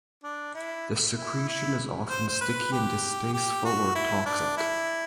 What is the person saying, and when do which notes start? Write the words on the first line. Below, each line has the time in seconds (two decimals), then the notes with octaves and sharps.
The secretion is often sticky and distasteful or toxic.
0.23 D4
0.54 E4
1.17 E4
1.48 E4
2.10 C5
2.28 C5
2.41 B4
2.72 G4
3.34 G4
3.65 F#4
3.95 E4
4.26 D4
4.57 E4